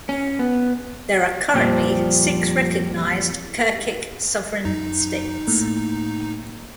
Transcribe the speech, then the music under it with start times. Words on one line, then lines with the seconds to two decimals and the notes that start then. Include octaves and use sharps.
There are currently six recognized Turkic sovereign states.
0.09 C#4
0.39 B3
1.54 F2 A#2 F3 G3 C4
4.65 F#2 D#4
5.48 A2 A#3